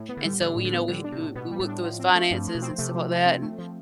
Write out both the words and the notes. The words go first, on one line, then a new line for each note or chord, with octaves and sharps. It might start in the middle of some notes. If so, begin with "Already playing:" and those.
And so, we you know, we w we looked through his finances and stuff like that. And,
Already playing: A2
B3
D3
G3
D3 D4
A2
D3
B3
D3 G3
D4
C3
A2
B2 B3
G3
A2
D4
F3
C4
A3
G2 F3
F3
B2
C4
C3 A3
F3
F3
C4
A3
F3